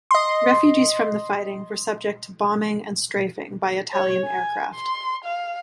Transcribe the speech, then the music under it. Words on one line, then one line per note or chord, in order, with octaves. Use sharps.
Refugees from the fighting were subject to bombing and strafing by Italian aircraft.
D#5 C6
C#5
G#5
C6
F5